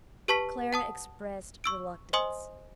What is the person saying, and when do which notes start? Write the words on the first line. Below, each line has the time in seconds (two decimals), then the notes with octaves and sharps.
Clara expressed reluctance.
0.28 G4 B4 A5 C#6 B6
0.73 F#5 A5 D#6
1.64 C#6 E6 D7
2.13 C5 D#5 G#5 C6 D#6